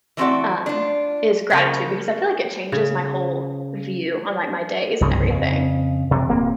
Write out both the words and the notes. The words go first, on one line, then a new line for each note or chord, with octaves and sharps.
um, is gratitude, because I feel like it changes my whole view on, like, my days and everything.
E3 A3 C4 F4 F#4 D5
D4 F4
C#3 A#3
C#3
C2 G2 C#3 F3
F2 C#3
C3 E3
D1 A#3 C4